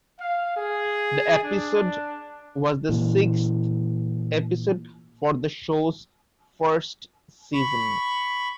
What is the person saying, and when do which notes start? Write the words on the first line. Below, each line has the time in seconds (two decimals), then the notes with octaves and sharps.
The episode was the sixth episode for the show's first season.
0.20 F5
0.57 G#4
1.44 D4
2.89 A#2 E3
7.54 B5 C#6